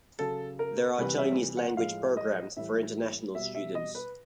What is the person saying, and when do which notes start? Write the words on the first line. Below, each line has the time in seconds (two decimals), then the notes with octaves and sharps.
There are Chinese language programs for international students.
0.19 C#3 F#3 A4
0.59 A#4
0.98 C3 E3 G3 B4
1.18 E5
1.57 F#5
1.77 A2 F3 G#3 F5
2.17 D#5
2.57 A2 E3 G3 E5
3.35 B2 G3 E5
3.55 E5
3.75 D#5
3.95 B4